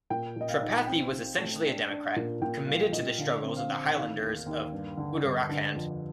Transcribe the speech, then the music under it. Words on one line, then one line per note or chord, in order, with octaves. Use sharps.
Tripathi was essentially a democrat, committed to the struggles of the Highlanders of Uttarakhand.
A#2 G5
A#2 D#5
F5
D#4
C4 G5
C4
A3
D4
D4
A#2
A#2 G5
G3 F5
A#2 D#5
D3 F5
C4
F5
C4
G5
D#3 F5
D#2
D#2
G2
D3
G2
D3
F2